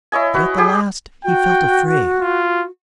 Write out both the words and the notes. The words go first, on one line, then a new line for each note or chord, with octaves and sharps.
But at the last he felt afraid.
E4 C#5 D#5 G#5
F#4 B4
G4 G#4 G5 D#6
F#4 G5
F4